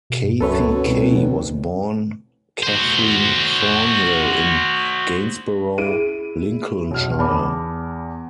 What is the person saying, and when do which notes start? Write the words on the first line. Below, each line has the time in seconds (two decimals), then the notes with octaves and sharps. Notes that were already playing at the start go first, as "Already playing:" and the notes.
Kathie Kay was born Kathleen Thornhill in Gainsborough, Lincolnshire.
0.10 B2
0.24 G2
0.41 C#2 F#2 A4 B4 C#5
0.67 B2
0.86 C2 B2
1.10 F1
2.63 F#4 C5
5.78 E4 G#4 D7 D#7
6.91 B1 F6
7.19 E2 A5 B5 D6